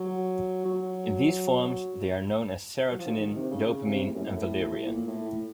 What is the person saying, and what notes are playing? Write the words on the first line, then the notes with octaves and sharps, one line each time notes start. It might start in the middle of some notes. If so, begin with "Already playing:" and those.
In these forms, they are known as Serotonin, Dopamine, and Valerian.
Already playing: F#3
F#3
F#3
F3
D#3
D#3
C3
C#3
C#3
C3
A2
F#2
A2
A#2
A2